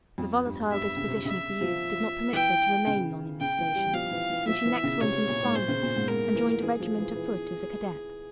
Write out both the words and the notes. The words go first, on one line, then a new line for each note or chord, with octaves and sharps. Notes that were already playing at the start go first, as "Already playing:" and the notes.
The volatile disposition of the youth did not permit her to remain long in this station, and she next went into Flanders, and joined a regiment of foot as a cadet.
F2
G2
G2 E5
C#3
C3
C#3 E5
F3
E3 G5
C#3
C#3 G5
E3
G3
F3 F5
E3
E3
F3 E5
E3
C#3
C3 C#5
A#2
G#2
A#2 C5
C#3
A#2
G#2
G#2 A#4
E3
E3 G#4
F3
E3
E3